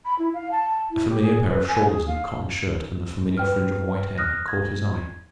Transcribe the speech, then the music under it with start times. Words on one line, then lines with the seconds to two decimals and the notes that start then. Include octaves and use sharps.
A familiar pair of shoulders in a cotton shirt and a familiar fringe of white hair had caught his eye.
0.05 B5
0.18 E4
0.34 F5
0.51 A5
0.91 E4
1.09 G4
1.22 G#4
1.49 B4
1.68 G#5
1.85 G#4
2.07 F5
3.37 B4 G5 F6
4.18 D#6 F6 F#6 A#6
4.48 G#6